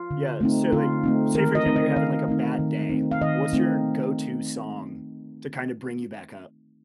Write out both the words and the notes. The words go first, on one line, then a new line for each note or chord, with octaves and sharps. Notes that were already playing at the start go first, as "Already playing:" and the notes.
Yeah, so, like, say, for example, you're having, like, a bad day. What's your go-to song to kind of bring you back up?
Already playing: F4
D3
A3 C4 D#4
D3 F4
A3 C4 D#4
D#3 A#4
D#5
A3 C4 D#4
D#5
D#3 F5
A3 C4 D#4
D#3
A3 C4 D#4
F5
D#3 D#5
A3 C4 D#4